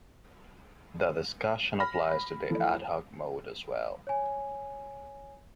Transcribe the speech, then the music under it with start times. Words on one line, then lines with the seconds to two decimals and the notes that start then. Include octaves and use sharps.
The discussion applies to the ad hoc mode as well.
1.80 B5 F6 A#6
2.49 E3 F3 A3
4.07 C#5 G#5